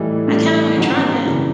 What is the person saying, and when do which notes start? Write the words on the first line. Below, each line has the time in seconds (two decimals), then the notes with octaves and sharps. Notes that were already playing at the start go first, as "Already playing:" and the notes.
I kinda wanna try that.
Already playing: A2 E3 G3 D#4
0.28 A2 E3 G3
0.76 G#2 D#3 F#3 C#4
0.89 C4
1.01 B3
1.14 A#3
1.25 F#2 C#3 E3 G3